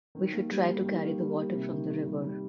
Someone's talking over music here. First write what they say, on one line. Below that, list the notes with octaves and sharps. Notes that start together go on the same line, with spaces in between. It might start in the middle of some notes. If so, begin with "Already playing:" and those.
We should try to carry the water from the river.
D#3
A#3
G3
A#3
D#3
A#3
G3
A#3
C3
D#3
D#3
G3
G3